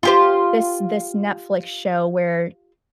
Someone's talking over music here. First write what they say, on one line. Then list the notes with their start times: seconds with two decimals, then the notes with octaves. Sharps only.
this this Netflix show where
0.03 F4 G4 C5